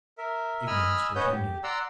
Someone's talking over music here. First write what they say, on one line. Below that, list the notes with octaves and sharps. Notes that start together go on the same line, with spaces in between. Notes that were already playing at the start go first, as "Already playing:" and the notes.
Ignorance pretended.
A#4 E5
D#5 G#5 B5 E6 F6
C#4 B4 C#5 D#5 F#5 G6
G4
D5 F#5 A#5 C6 E6